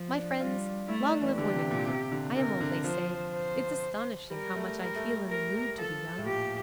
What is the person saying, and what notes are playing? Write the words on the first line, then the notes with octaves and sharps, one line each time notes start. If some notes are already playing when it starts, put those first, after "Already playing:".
My friends, long live women! I am old, they say; it's astonishing how much I feel in the mood to be young.
Already playing: F3
D4
G3 F4
A3 E4
D4
E3
D3 G4
C3
C3
A#2
C3
D3
C3 A#4
D3
F3 C5
C5
G3 A#4
A3
A#4
G3
A3
A3
A#4
G3
F3 A4
A2
A#2 G4